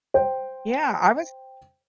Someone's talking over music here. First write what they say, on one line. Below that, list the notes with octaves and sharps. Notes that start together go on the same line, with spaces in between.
Yeah, I was
C5 G5